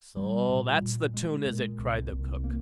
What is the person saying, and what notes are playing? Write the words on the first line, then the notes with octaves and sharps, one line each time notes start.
"So that's the toon, is it?" cried the cook.
G3
A#2
A#2
G#3
A#2
C2
C2
A#3